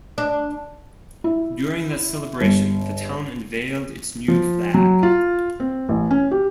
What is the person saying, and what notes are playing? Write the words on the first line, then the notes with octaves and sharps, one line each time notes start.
During that celebration, the town unveiled its new flag.
D4
E4
G1
F3
F#3
F4
C4
A1
C#4
G4